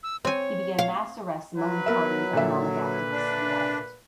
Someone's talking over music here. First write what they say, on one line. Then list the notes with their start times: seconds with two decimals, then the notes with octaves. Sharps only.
He began mass arrests among the party and economic activists of the island.
0.03 E6
0.25 C4 C#5 G#5
0.79 F5
1.56 F#3 B4
1.86 B3 A#4 E5
2.33 A#2 D3 E5
2.75 B4
3.12 D4